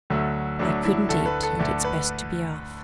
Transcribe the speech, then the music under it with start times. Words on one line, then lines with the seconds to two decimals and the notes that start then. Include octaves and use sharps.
I couldn't eat, and it's best to be off.
0.10 D2 D3 F#3 A3
0.59 D2 D3 F#3 A3 D4
0.85 E4
1.09 D2 D3 A3 A4
1.26 B4
1.43 A4
1.59 D2 D3 A3 D5
1.85 B4